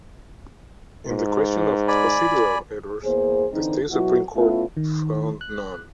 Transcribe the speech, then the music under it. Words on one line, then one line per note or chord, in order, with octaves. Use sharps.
In the question of procedural errors, the state Supreme Court found none.
G#2
D5 G#5 B5
E2 A#3 B3 G#4 C5
D3 E3 C4 D#4
B2 F#3 E4 F#4
A3 B3 C#4 E4 F4
D#3
F#6